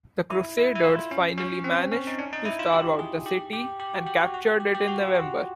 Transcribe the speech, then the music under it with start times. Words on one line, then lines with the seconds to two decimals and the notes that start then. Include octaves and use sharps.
The crusaders finally managed to starve out the city and captured it in November.
0.30 E4
0.57 E4
0.75 E4
0.84 F4
1.11 C#4
1.38 C#4
1.64 C4
1.92 C#4
2.07 D#4
2.19 D4
2.33 D#4
2.45 E4
2.59 F4
2.73 G4
2.99 G#4
3.26 G4
3.53 G4
3.80 G4
3.94 F#4
4.06 G4
4.21 F#4
4.34 F#4
4.48 G4
4.60 G4
4.75 G4
4.88 F#4
5.01 F4
5.15 F#4